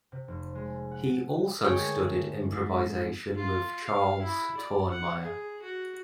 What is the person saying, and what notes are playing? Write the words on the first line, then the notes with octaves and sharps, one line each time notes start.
He also studied improvisation with Charles Tournemire.
C3
F1
G#3
F#5
D#7
D3 D#3 G#3 A3 G#4 C#5 G5
G#2
F4
F5
E4
D5
F#5
G#4
F#4